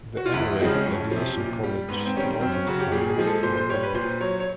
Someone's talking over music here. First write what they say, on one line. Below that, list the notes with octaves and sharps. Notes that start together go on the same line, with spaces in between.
The Emirates Aviation College can also be found in Al Garhoud.
F#4
F4
E2 E4
C#3 F3 G#3 C4
C#4
F2
C3 F3
A#2
G3
G#2 B3
C4
D#3 G3 C#4
C4
F#2 C4
C#4
C#3 F#3 F#4
G4
A#2 G#4
G#4
F3 G#3
A4
A#2 C5
C5
G3 C#5
B4
A#2 C5
F#3 C#5
C#5